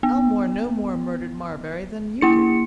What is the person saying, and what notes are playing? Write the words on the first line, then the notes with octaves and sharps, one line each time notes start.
"Aylmore no more murdered Marbury than you did!"
B3
A#3 E4 C#7